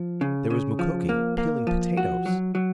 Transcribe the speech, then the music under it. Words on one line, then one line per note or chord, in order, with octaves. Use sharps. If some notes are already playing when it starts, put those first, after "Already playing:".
There was Mukoki--peeling potatoes!
Already playing: F3
C#3
C#3
F3
A#3
A#3
F3
F#4
F#3
F#3